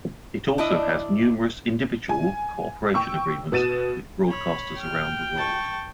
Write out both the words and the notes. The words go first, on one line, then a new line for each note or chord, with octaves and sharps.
It also has numerous individual cooperation agreements with broadcasters around the world.
D4 E4 D#5
G#5
G5 C#6 E6
B2 F#4 A6 D#7 E7
C#5 B5
G5 F6
A5 C#6